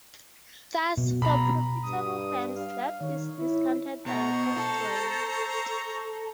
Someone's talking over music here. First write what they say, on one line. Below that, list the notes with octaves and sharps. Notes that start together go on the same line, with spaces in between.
Thus, for profitable firms, debt is discounted by the tax rate.
B2
B2 A#5 B5
G2 D#6
F5
D#3 C#5
E4
B2 C5 A#5 C#6
A4